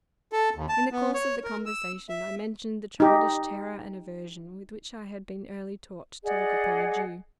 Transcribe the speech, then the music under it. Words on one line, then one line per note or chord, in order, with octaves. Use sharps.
In the course of the conversation I mentioned the childish terror and aversion with which I had been early taught to look upon a Jew.
A4
D#2
A5
B3
C#5
A#4
E6
E5
D#4 G4
G#4 D5 D#5 F#5